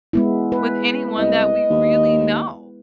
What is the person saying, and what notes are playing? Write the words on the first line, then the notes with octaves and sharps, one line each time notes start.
with anyone that we really know.
G#3 B3 E4
B4
C2 D#5
D#2